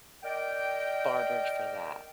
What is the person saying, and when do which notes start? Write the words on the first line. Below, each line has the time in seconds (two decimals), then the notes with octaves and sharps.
bartered for that.
0.24 A#4 D5 D#5 G5